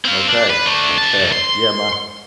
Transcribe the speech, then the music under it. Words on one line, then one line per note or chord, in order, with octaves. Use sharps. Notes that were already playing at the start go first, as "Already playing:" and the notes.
Okay, okay. Yeah, my
C4 F5
D4
B4
A3 D4
C3 A5
C6